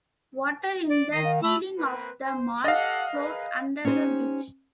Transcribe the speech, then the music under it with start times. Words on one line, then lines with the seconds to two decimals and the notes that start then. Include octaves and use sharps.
Water in the ceiling of the mall flows under the bridge.
0.89 D5
1.11 D#3 D#5 C7
1.24 F5
1.43 A3 B5 E6
1.77 A#3 C4 B4
2.22 C5
2.64 G4 A4 D#5 F5 F#5
3.15 G#4 A#4 B4
3.85 C#4 D#4 G4 C5